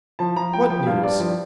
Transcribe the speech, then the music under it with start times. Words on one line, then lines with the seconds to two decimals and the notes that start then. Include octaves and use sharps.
"What news?"
0.19 F3 A5
0.36 F3 A#5
0.52 F3 G5
0.70 F3 G5
0.87 G2 F5
1.03 G2 D5
1.20 F3 D5